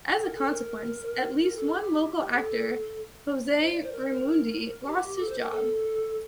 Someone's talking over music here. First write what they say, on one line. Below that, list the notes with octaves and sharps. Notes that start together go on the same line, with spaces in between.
As a consequence, at least one local actor, Jose Reymundi, lost his job.
A4
A#4
A4
A#4
A#4
A4
G4
A4
C5
D5
C5
A#4
G4
A4
C5
A#4
A4